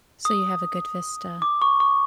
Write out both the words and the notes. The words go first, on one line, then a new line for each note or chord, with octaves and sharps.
So you have a good vista.
D#6
D6
C#6
C#6